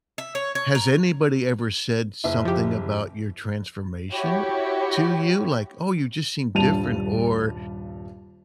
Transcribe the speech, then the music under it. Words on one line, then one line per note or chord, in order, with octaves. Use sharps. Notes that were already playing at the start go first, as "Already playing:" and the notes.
has anybody ever said something about your transformation to you? Like, "Oh, you just seem different," or
E5
C#5
C#5
A#4
F#1 E4
F3 G4
E4 F#4 G4 C#5
D#1 G2 G3 A5 D#7 F7